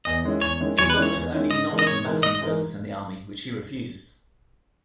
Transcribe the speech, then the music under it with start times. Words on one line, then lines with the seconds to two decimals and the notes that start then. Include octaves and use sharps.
He was offered only non-combatant service in the army, which he refused.
0.05 E2 D#5
0.24 D#3 G#3 C#4 E4
0.41 E2 C#5
0.60 D#3 G#3 C#4 E4
0.79 E2 C#5
0.90 B4
0.96 D#3 G#3 C#4 E4
1.02 C#5
1.14 E2
1.33 D#3 G#3 C#4 E4
1.50 G#2 D#5
1.68 E3 G#3 D#4 A#4
1.79 D#5
1.87 G#2 C#5
2.05 E3 G#3 D#4 A#4
2.22 G#2 D#5
2.35 D#5
2.41 E3 G#3 D#4 A#4